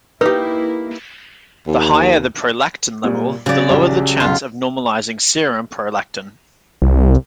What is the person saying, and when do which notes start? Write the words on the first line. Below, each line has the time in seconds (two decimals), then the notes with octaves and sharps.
The higher the prolactin level the lower the chance of normalizing serum prolactin.
0.21 A#3 D#4 E4 G4 B4
1.67 D#2
3.04 A#2 G3
3.46 C#3 F#3 D5
3.70 A#1 F#3 G3
4.20 B1 F4 C6
6.82 C2